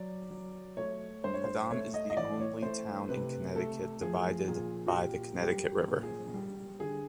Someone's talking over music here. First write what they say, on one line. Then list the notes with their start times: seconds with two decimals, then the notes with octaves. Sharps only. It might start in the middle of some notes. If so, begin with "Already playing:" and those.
Haddam is the only town in Connecticut divided by the Connecticut River.
Already playing: F#3 D5
0.31 F#3
0.77 A3 C#5
1.24 G2 C5
1.34 C#5
1.44 C5
1.71 A3 C#5
1.94 D#5
2.10 D#5
2.17 E3 D5
2.40 C#5
2.62 A3 C5
3.09 C3 B4
3.56 A3 A4
4.02 F3 G#4
4.48 A#2 G#4
4.86 F#4
4.94 A#2 G4
5.41 G3 G4
5.88 A#2
6.03 G#4
6.34 G3
6.80 D3 G#4